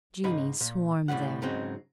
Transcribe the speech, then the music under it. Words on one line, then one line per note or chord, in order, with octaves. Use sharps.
Genii swarm there.
C#2 G#2 D#4 B5
A#2
D2 A2 C#3 G3 F#5
G#2 C#3 F#3 C4 D#4